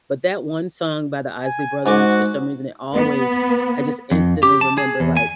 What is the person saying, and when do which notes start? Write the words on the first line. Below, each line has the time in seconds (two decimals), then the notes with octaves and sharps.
But that one song by The Isley Brothers, for some reason, it always I just instantly remember, like
1.45 G#5
1.86 G#2 F#4 G#5 D6
2.94 B3
4.12 F2
4.43 G4
4.61 A5
4.78 G#4
5.00 E2
5.17 G#5